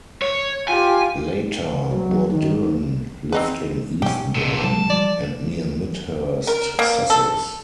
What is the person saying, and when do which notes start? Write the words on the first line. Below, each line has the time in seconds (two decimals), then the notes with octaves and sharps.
Later Bourdillon lived in Eastbourne, and near Midhurst, Sussex.
0.22 C#5
0.68 F4 G4 G#5
1.93 F#3
2.32 D#3
3.32 C4 D#4 B4
4.02 B2 C#4 G4
4.35 A#2 D3
4.64 F#3 G#3 A5
4.90 F3 G3 D5
6.47 A#4
6.79 A#3
7.10 A4